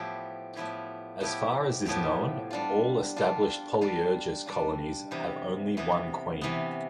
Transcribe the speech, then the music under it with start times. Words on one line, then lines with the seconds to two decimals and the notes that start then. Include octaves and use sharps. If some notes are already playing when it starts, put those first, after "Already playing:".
As far as is known, all established "Polyergus" colonies have only one queen.
Already playing: A2 F3 B3 E4 G4
0.55 A2 F3 B3 E4 G4
1.21 A2 F3 B3 E4 G4
1.86 A2 F3 B3 E4 G4
2.51 G3 D4 F4
3.16 G3 D4 F4
3.81 G3 D4 F4
4.46 G3 D4 F4
5.11 C3 E3 B3
5.77 C3 E3 B3
6.41 C3 E3 B3